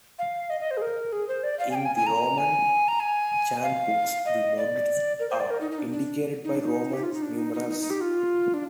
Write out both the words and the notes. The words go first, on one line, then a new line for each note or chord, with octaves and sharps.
In the Roman Chantbooks the modes are indicated by Roman numerals.
F5
D#5
D#5
C5
G#4
A#4
G#4
C5
D5
F5
G#5
G5
G#5
G#5
A#5
G#5
A#5
G#5
F5
D#5
D5
A#4
C5
D5
A#4
D#4
D#4
D4
D4
D#4
D4
D#4
G4
F4
D#4
D4
D#4
D#4
D#4
D#4
G4
F4
D4